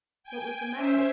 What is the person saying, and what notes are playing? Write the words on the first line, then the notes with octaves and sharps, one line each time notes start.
What was the matter?
G5 G#5
C#4 C5 E5